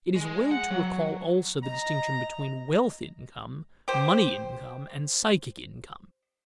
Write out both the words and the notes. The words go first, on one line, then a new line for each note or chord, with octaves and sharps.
It is well to recall also the distinction between wealth income, money income, and psychic income.
G#3
F#5
F#3
D#5 A#5
G4 C5